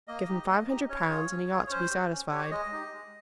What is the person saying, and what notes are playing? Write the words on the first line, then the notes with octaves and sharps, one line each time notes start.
Give him five hundred pounds, and he ought to be satisfied.
A#3 D#5
D#4 G4
A#3
D#4 G4
C#4 C#5
F4 G#4
C#4
F4 G#4
C#5
C#4 C5
G4
C#4
G4 C#5
G#3 D#5
D#4 G4
G#3